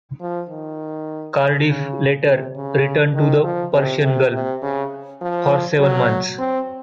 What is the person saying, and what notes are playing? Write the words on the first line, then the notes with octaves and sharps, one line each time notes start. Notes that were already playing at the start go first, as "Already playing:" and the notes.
"Cardiff" later returned to the Persian Gulf for seven months.
F3
D#3
C#3
C3
C#3
D#3
F3
C3
C3
C3
C#3
F3
F#3
C4